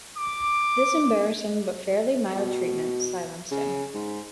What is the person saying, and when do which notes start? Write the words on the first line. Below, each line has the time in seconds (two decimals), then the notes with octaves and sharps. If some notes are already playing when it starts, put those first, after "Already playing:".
This embarrassing but fairly mild treatment silenced him.
0.15 D6
2.36 B2
3.51 C#3
3.94 G#2